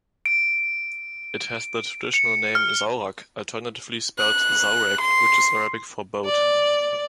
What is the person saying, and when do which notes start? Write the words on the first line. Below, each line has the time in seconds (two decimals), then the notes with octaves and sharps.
It has the traditional name "Zaurak", alternatively spelled Zaurac, which is Arabic for 'boat'.
0.26 D7
2.14 C#7
2.55 F6
4.18 F#6
5.00 C6
6.26 D5